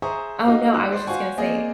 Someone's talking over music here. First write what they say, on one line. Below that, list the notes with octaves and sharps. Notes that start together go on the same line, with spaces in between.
Oh, no. I was just gonna say
G#4 C5 E5 A#5 C#6 D#6
D#4 F#4 D#5 F5
D#4 F#4 F#6
C5 D5 C6
F#4 C5 F5 F#5 G#5 C#6
A#3 C4 G#4 D5 D#5